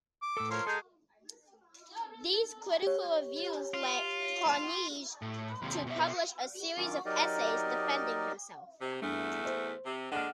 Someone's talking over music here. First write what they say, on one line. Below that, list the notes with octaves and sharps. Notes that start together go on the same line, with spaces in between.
These critical reviews led Carnegie to publish a series of essays defending himself.
D6
A2 A4 E6
F3 A#4 C#5 C6 F6
G#3 G#4 A4 A5 A#5 G6
G4 C#5
F4
A2
D#2 C3
B2 E5
D#3 F#3 C#4 F4 D6
F#3 D#4 G4 A#4 D5 D#5
C3
E2 G2 A3
C5
C3
D3 G#3 D4 F#5 F6